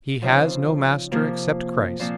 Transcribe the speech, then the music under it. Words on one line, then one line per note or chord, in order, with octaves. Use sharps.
He has no master except Christ.
C#3 F3 C4 D#4
C3 F3 A#3
A#2 F3 C4